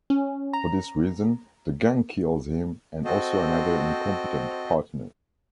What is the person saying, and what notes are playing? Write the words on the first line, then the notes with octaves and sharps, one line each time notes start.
For this reason, the gang kills him and also another incompetent partner.
C#4
A#5
C4 F#4 A4 C5 D#5